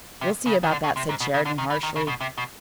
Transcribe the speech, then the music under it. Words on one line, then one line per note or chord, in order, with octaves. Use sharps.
"We'll see about that!" said Sheridan, harshly.
C3
C#3
D#3
D3
C#3
C3
G#2
B2
C#3
D3
D#3
E3
D#3
C#3
B2
C3
B2